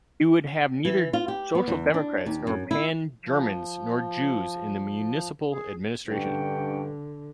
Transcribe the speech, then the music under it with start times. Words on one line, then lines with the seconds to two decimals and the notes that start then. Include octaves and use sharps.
He would have neither Social Democrats nor Pan-Germans nor Jews in the municipal administration.
0.85 E3
1.13 F4
1.28 G4
1.55 B3
1.68 E2
1.94 D4
2.26 D#2
2.47 F#2
2.71 E4
3.24 F3
5.52 G#4
6.08 G2 D3 C#4 F#5 G5